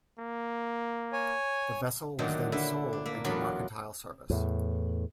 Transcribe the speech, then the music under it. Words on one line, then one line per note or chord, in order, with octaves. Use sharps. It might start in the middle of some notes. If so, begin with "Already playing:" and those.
The vessel was then sold into mercantile service.
A#3
C#5 G#5
A#2 D3 D#3 F#3 A3
D3 D4 E4 E5
D4
A#3 E5
E2 F#3 D4 F4 B5
E2 A2